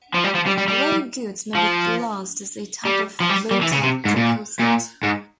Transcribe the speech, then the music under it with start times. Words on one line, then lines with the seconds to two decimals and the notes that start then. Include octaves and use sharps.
Grave goods may be classed as a type of votive deposit.
0.15 F3
0.24 G3
0.35 F3
0.46 G3
0.58 G3
0.68 G3
1.55 F3
2.85 G3
3.20 F3
3.29 G3
3.51 G3
3.62 E3
3.73 C#3
3.83 C3
4.05 G#2
4.16 A#2
4.60 A#2
5.03 G#2